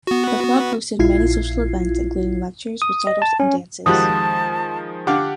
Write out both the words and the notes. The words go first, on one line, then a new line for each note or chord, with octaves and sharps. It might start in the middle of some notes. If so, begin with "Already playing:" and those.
The Club hosted many social events, including lectures, recitals, and dances.
B3 F#4
A#1 E4 F4 G#6 C7
D#6
D#5
A5
C#4
F2 D#3 F3 G3 G#3 F#4 A5 D#6
D3 G4 F5 F#5 D6